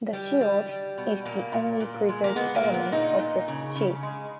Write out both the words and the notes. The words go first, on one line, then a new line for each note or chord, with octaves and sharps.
The shield is the only preserved element of the sheath.
G3
G3
G3
B2
A#2 A#3
A#2
A#2
G#3
A#3
G#3 B3
A#3
A#2
B3
A#2 D#4
A#2
C#3
C#3
G#3